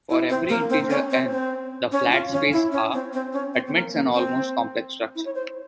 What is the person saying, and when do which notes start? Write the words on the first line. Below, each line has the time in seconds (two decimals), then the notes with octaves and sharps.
For every integer n, the flat space R admits an almost complex structure.
0.10 E4
0.29 C4
0.49 A#3
0.70 C4
0.90 C#4
1.10 C4
1.31 C4
1.92 C#4
2.11 F4
2.32 C#4
2.52 E4
2.72 C#4
2.93 C4
3.13 C4
3.33 C#4
3.54 C4
3.67 C4
3.74 A#3
3.94 A#3
4.13 C4
5.15 E4
5.25 C#5
5.35 C5